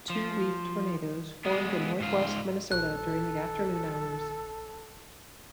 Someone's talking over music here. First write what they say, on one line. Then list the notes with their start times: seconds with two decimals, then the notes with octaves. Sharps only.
Two weak tornadoes formed in northwest Minnesota during the afternoon hours.
0.10 F3
1.45 G#3 B3
2.00 G#2 F4
2.72 A#1 A4 F#6